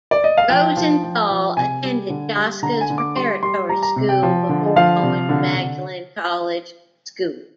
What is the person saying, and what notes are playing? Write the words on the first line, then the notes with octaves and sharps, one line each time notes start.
Rosenthal attended Josca's Preparatory School before going to Magdalen College School.
D5
D#5
F5
F3 G5
F3
F3
F3
C3 G#5
G3
D3
G3
D3 A#5
G#5
D3
D6
G3 C6
G3 C6
G3 A#5
A#5
C3
G5
F3
D3
F3 F5
C3
D3
D3